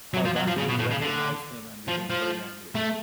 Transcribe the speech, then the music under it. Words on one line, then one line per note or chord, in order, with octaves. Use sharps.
Parvati recognized him and became very angry.
F#3
F3
F#3
F3
C#3
B2
A2
C#3
D3
F3
F3
A3